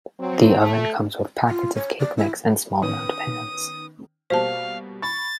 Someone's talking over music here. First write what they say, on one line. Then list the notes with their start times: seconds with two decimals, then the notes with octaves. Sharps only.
The oven comes with packets of cake mix and small round pans.
0.19 F#3 C4
0.60 A3
1.49 F4
1.75 C#5
2.00 D5
2.18 E4
2.82 D#3 B3 C#4 D#6
4.30 B2 G3 A#3 C5 F5 A5
5.02 B5 C#6 A6